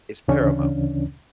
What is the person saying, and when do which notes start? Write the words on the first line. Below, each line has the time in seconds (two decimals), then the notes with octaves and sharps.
is paramount.
0.28 D2 C#3 E3 C#4 D4